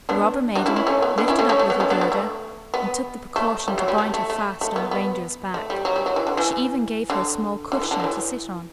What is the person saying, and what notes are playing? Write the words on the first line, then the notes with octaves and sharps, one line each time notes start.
The robber maiden lifted up little Gerda, and took the precaution to bind her fast on the Reindeer's back; she even gave her a small cushion to sit on.
B3 D4
D4 F#4
C#4 E4
C#4 E4
A3 C#4
B3
B3 D4
C#4 E4
A3 C#4
A3 C#4
A3
B3
A3 C#4
B3 D4
B3
A3
B3
A3
G3
F#3
G3
A3
A3
A3
A3
B3
B3
A3
G3
F#3
G3
F#3
E3
D3
E3
D3
D3
E3
D3
F#3
E3